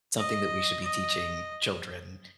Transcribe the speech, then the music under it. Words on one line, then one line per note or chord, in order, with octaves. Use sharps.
something that we should be teaching children,
D#5
D#5